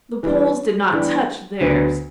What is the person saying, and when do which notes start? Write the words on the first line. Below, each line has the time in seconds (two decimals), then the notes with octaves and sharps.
The Poles did not touch theirs.
0.23 E3 G3 D4
0.92 E3 G3 B3 D4 G4
1.61 D2 D3 F#3 B3